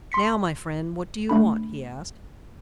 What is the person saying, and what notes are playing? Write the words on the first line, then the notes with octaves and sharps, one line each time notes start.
"Now, my friend, what do you want?" he asked.
C6 B6 C#7
A3 D4 B5